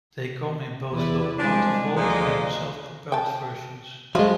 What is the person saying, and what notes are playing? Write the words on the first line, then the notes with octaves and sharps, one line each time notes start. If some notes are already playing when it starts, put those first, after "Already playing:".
They come in both locomotive hauled and self-propelled versions.
E2 E4 B4 D5
C2 F3 G#3 D4 G#5
D2 A#2 D3 F3 G#3 D#5
G5 A5
F3 F#3 G#3 F5